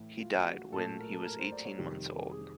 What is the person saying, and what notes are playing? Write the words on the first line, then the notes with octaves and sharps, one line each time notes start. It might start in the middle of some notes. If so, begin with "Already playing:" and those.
He died when he was eighteen months old.
Already playing: A2 E3 A3 E4
F4
F#4
A#2 F#3 A3 A4
A4
A#4
A4
A#4
C5
D5
C#5
F2 C3 D#3 G3 G4
G#4